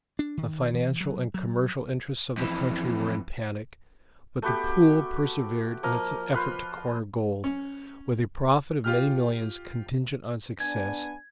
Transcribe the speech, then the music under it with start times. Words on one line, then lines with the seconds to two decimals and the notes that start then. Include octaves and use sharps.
The financial and commercial interests of the country were in panic; but the pool persevered in its effort to corner gold, with a profit of many millions contingent on success.
0.19 D4
0.37 D#3
0.74 E3
1.00 F#3
1.34 F#3
2.38 F2 E3
4.42 A3 B3 F#4 G4
5.83 F3 A#3 D#5 F5
6.33 F4 B4 C5
7.44 C#4
8.84 F4 G4 F6
10.60 B3 D4 G#5 G#6